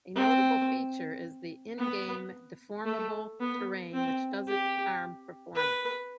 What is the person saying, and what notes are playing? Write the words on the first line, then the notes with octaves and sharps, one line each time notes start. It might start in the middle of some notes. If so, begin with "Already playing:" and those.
A notable feature is the in-game deformable terrain which doesn't harm performance.
C4
B3
A3
B3
C4
G4
B4